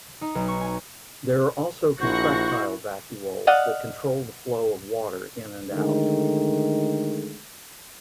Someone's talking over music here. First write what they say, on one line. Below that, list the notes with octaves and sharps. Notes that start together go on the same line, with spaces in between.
There are also contractile vacuoles that control the flow of water in and out.
D#4
B1
C#6
G#5
A#1 E4 F#4 C5 C#6 F#6 A#6
D5 D#5 F5 F#5
D3 D#3 G#3 A3